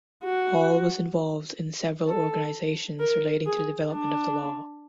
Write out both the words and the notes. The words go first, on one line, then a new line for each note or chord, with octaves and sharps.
Hall was involved in several organizations relating to the development of the law.
F#4
A4
A#4
G#4
D4